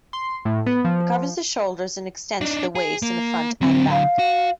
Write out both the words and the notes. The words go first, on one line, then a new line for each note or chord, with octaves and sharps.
It covers the shoulders and extends to the waist in the front and back.
C6
A2
B3
F3
D4 D#4
G#4
A#3
D3 F#3 C4
F5
F#4